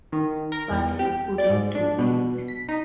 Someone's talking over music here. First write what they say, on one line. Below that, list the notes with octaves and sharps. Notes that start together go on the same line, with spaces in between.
But he couldn’t do it.
D#3
A#4
E2
G4
D5
G#2
D4
B2
B6
D#4